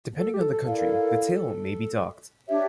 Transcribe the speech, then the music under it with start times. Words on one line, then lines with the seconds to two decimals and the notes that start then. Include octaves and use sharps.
Depending on the country, the tail may be docked.
0.18 A4
0.34 G4
0.41 A4
0.53 A4
0.64 E4 A4 A#4 D5 F5
2.48 D4 G4 C#5 E5